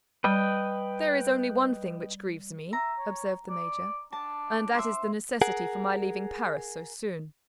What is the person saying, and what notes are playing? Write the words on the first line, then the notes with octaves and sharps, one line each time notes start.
"There is only one thing which grieves me," observed the major, "and that is the necessity for my leaving Paris so soon."
G3 B4 D#5 G5
E5 A#5
C#5
D5
D4 A5
C5 E5
G#4 A#4 F#5